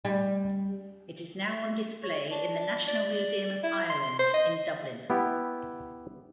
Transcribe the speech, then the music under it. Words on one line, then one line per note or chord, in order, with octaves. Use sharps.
It is now on display in the National Museum of Ireland in Dublin.
G3
C#5
D4
D5
E4
C6
C5
D#5
B3 E4 G4